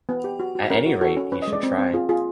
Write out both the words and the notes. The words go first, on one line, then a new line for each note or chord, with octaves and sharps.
At any rate, he should try.
B3
G4
F#4
F#4
C#4 A#4
F#4
F#4 A4
C#4
C#4 B4
D#5
G#3
D5
C4
C4
F4 G#4
F4 G#4